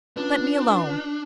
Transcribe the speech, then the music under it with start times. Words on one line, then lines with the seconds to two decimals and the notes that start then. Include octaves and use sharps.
Let me alone.
0.17 C#4 D4 F4 B4